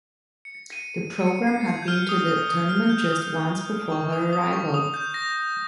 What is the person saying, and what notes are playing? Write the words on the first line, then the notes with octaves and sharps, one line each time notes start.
The program had been to the tournament just once before her arrival.
C#7
D#7
D#7
C#7
C7
G#6
G6
F6
D#6
D#6
D#6
F6
G6
D#6
F6
G6
G6
F6
C#6
D#6
D#6
C#6
D#6
G6
A#6